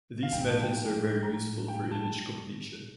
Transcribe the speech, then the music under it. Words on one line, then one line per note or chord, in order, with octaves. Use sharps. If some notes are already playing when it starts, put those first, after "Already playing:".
These methods are very useful for image completion.
F5
A2 F3 A3 D#4 G5
A5
G5
G5
A#5
G5
A5